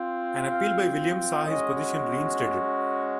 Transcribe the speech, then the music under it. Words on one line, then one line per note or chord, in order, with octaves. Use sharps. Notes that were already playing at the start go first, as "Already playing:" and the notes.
An appeal by Williams saw his position reinstated.
Already playing: C4 F4
F5
G#3 C#4 F#4 D#5